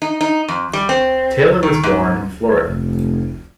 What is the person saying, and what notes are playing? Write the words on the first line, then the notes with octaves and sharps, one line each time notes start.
Tayler was born in Florida.
D#4
D#4
F2
G3
C4
D#3
G#2
F1